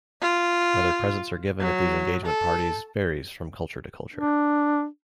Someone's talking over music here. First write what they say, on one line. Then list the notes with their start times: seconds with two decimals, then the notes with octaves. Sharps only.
Whether presents are given at these engagement parties varies from culture to culture.
0.22 F4
1.61 F#3
2.26 A4
4.16 D4